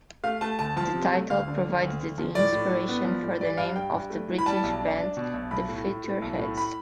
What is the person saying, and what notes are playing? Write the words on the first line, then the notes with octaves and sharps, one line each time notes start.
The title provided the inspiration for the name of the British band The Futureheads.
A3 F5
A3 A5
D2 A5
F3 A5
C3
A3
D2 F5
D3
D2
D2
D2
F3
A2 D5
A2
A2
B3
F3
A2
G2 D5
G2 F5
G2 G5
G2
A3
E3
B5
G3 A5
B1
D4
D4
B2
B1
B1 B5
A2
A2
A2
B1
A2
B5